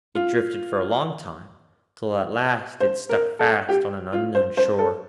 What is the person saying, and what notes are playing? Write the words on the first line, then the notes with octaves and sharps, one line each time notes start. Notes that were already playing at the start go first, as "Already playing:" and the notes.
It drifted for a long time, till at last it stuck fast on an unknown shore.
F4
C5
A#4
A4
G4
F4
C5
C5
A4